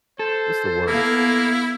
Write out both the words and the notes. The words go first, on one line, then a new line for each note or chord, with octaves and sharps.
It's the worst.
A4 C5
A#3 B3 E4 F5